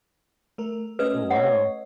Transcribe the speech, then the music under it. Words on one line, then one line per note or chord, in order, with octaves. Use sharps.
Oh, wow.
A3 A#4
A3 C#4 B4 D#5
C#5 F#5